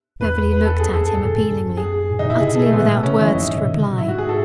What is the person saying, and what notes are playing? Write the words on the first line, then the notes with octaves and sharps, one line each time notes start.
Beverly looked at him appealingly, utterly without words to reply.
E2 B4
B4
A4
F#2 G#4
E2 A4
F#2
G#2 A4
F#2
F#2
F#2
G#4
A2
A2 D#4
B2 E4
C#3 G#4
B2
A4
A3
A2 B3
A2
B2
C#3 C#4
D#3
E4
E3
F#2 D#4
G#2
B2
D#3
C#3
B2
G#2 E4
F#4
G#4
A4